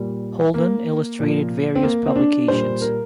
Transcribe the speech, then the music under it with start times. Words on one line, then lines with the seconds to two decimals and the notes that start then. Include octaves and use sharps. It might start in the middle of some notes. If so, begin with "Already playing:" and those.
Holden illustrated various publications.
Already playing: A#2 G3
0.54 A#3
1.19 A#2 F3
1.75 C4
1.83 A#3
2.06 C4
2.16 D4
2.48 A#2 G3 C5
2.81 A#4